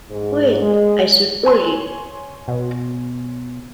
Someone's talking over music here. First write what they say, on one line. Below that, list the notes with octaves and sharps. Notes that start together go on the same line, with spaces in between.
Well, I should worry!
G#2
G#3
C#5 G#5 C6
B2